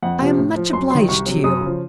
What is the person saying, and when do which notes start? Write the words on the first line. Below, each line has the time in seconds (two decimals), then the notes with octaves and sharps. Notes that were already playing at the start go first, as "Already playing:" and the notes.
I am much obliged to you.
0.03 F2 F#5
0.21 C3 F3
0.38 A2
0.56 F3
0.73 F#2 C6
0.90 D#3 F#3 C6
1.08 C2 C#6
1.26 C3 F#3
1.44 F#2 D#6
1.61 C#3
1.66 F3